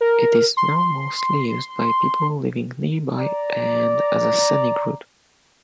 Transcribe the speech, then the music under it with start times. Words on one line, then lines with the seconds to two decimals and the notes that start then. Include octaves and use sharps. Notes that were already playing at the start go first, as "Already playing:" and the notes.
It is now mostly used by people living nearby and as a scenic route.
0.01 A#4
0.57 C6
3.18 D5 A#5